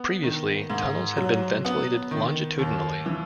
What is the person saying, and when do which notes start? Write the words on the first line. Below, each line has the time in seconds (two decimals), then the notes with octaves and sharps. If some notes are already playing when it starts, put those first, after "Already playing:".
Previously, tunnels had been ventilated longitudinally.
Already playing: B3
0.23 D#3
0.70 G#2
1.17 F#3
1.65 B3
2.11 D#3
2.58 D#2
3.06 E3